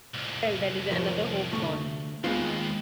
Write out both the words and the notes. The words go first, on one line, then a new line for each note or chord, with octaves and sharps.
Well, that is another hope gone.
C2 F2
F3 A#4 C#5
D2 A3
D#2 G#3 B3 F4